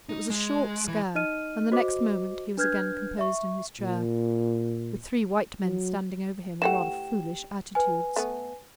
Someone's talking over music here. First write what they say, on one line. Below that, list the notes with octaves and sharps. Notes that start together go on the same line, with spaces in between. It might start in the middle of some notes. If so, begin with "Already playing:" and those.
It was a short scare, and the next moment he was again composed in his chair, with three white men standing over him in rather foolish attitudes.
D#4
G#3
E3
D#4 D#5 F6 D#7
F#4 C5 D#5 D6
D4 B4 F6 G6 G#6
E5 C#6
A#2
F#3
E3 A3 G4 F#5 G5 E7
B4 G#5
A3 B3